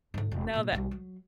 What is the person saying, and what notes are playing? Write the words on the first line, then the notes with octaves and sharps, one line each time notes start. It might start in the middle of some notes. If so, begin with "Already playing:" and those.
No, that
G#2 D3
E1
A#2 D4
B1 G3
F#3